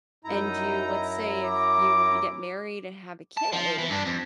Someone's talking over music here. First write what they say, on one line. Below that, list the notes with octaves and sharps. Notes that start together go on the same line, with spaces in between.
and you let's say, if you were to get married and have a kid,
F#2 D#4 E4 A#5
D6
A5
F3
E3
G2 D4
F2